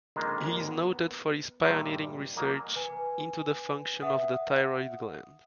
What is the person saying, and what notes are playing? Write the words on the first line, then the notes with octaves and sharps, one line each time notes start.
He is noted for his pioneering research into the function of the thyroid gland.
F2 D#3 G#3 A#3 C4 D4
G#1 D#2
B3
G2 A#2 D#3 G3 E4 G4
F#3 A#3 D#5 G#5
B4 G#5
E5 F#5 D#6